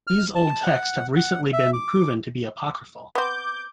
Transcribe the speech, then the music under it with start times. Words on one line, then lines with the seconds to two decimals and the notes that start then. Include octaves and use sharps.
These old texts have recently been proven to be apocryphal.
0.07 F6
0.35 A5
0.63 F#5
1.16 F#5
1.53 E5
1.73 D6
3.15 B3 C4 D6 G6